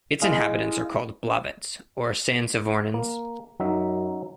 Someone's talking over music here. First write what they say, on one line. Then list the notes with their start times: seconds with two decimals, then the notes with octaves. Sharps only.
Its inhabitants are called "Blavets" or "Sansavornins".
0.21 G#3 E4 D#5 F5
2.94 A#3
3.60 F#2 F#3 D#4 E5